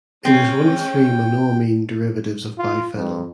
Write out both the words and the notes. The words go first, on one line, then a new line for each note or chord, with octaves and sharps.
It is one of three monoamine derivatives of biphenyl.
G#3 C4 C#4 G5
F4
F2